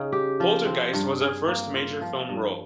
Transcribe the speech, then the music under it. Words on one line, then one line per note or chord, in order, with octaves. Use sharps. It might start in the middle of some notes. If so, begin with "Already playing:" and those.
"Poltergeist" was her first major film role.
Already playing: C#3 D#4
G4
F3
C4
G2
G#4
A#3
F4
F3
G2